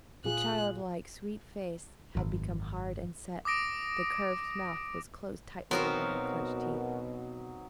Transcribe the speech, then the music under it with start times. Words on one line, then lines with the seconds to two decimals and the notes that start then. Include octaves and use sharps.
The childlike sweet face had become hard and set, the curved mouth was closed tightly over her clenched teeth.
0.24 A#2 F4 G#4 F#6
2.15 G#1 F#2
3.45 D6 D#6 A#6 D7
5.71 B2 F#3 B3 C4 D#4 F#4 A#4 F5